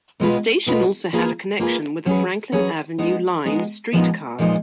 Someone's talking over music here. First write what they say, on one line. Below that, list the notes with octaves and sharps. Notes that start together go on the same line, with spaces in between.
The station also had a connection with the Franklin Avenue Line streetcars.
B2 G#3 B3 F4 B4
B2 G#3 B3 F4 B4
A#3 F4 G#4 B4
A#3 F4 G#4 B4
F#3 C#4 G#4 B4
F#3 C#4 G#4 B4
G#3 B3 D#4
G#3 B3 D#4
A#2 F3 G#3 B3 D#4
A#2 F3 G#3 B3 D#4